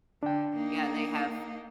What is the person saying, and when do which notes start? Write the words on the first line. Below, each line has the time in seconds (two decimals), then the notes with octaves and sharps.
yeah, they have
0.23 D3 D4 G5
0.56 A#3 D#4